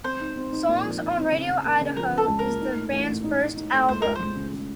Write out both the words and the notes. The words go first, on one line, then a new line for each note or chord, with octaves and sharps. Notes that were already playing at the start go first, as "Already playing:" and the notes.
"Songs on Radio Idaho" is the band's first album.
C4 C5
D#4
C4
D#4
A#2
F3
D#4
C4
C#3
C#3
A#3
C#3
F3 A#4
C#3 A4
C#2
A#4
A#3
D#4
A2
A1
A2
D#4
D#4
D#4
A3
C#2 C5
C#2 A#4
C5
C#2
C#3
C#3